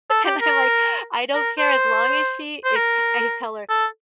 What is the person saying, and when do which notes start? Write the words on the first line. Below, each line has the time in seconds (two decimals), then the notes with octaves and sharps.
And I'm, like, "I don't care as long as she if" I had to tell her,
0.10 A4
0.25 G4
0.41 A#4
1.34 A#4
1.59 C5
2.64 C5
2.76 A#4
3.70 A4